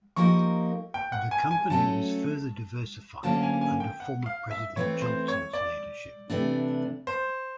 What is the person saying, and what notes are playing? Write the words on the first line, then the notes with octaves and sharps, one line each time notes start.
The company was further diversified under former president Johnson's leadership.
F3 A#3 D#4 G4 A#4 C#6
G5
F#5
G#5
G#5
F#3 A3 C#4 A5
D2 D3 F#3 A#3 C#4 A5
G#5
G#5
G5
F#5
F5
E5
E3 A3 C4 C#5
C5
C#5
D5
C3 E3 A3 D4
C5